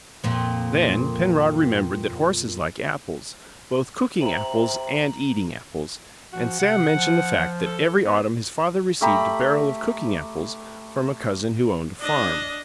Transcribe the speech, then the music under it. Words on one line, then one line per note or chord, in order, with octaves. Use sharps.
Then Penrod remembered that horses like apples, both "cooking-apples" and "eating-apples", and Sam mentioned the fact that every autumn his father received a barrel of "cooking-apples" from a cousin who owned a farm.
F2 A#2 F3
C3 A#5 F#7
F3 F#4
C3 F#5
F3
A4
B3
A3 G4 A#5 B5
D4 D#5